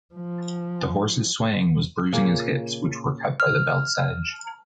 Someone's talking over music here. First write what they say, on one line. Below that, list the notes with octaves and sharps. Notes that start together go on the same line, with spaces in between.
The horse’s swaying was bruising his hips, which were cut by the belt’s edge.
F3
A#2 C#3 A#3
F6